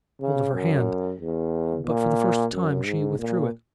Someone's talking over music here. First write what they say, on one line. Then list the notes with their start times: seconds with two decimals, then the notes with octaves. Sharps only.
I got hold of her hand, but for the first time she withdrew it.
0.21 C#3
0.54 F#2
1.20 E2
1.86 A#2
2.53 F#2
2.86 G#2
3.19 A#2